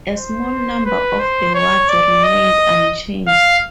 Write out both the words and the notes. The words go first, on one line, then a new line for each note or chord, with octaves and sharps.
A small number of the wards remained unchanged.
C5
B4
C5
C#5
D5
D#5
F5